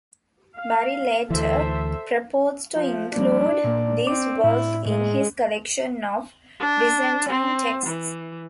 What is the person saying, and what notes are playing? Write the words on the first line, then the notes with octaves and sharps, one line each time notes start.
Bury later proposed to include this work in his collection of Byzantine Texts.
F5
D2 E3 A4 C5 E5
F3
F3 G3 A#3 D4
A#2 A#3
C4 D6
A2 E4
A2 G#3
D4
C4
E3